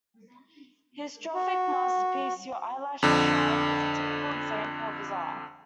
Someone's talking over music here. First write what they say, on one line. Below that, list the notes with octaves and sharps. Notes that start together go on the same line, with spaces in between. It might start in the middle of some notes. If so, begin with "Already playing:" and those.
His strophic masterpiece "Your eyelashes shine" is a typical example of his art.
F#4
F2 D3